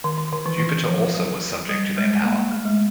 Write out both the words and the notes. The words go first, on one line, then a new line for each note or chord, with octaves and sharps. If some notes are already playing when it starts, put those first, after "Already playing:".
Jupiter also was subject to their power.
D#3
D#3
D#3
E3
E3
F3
F#3
G3
G#3
A#3
A#3
A3
G#3